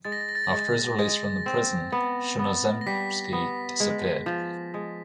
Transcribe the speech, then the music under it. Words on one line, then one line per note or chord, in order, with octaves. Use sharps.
After his release from the prison, Chernozemski disappeared.
G#3 A6
A#6
A6
A#6
A6
A#6
G#3 A6
G#3 A#6
C4
B3
B3
A#6
G3 B6
B3
G#3
F3
G#3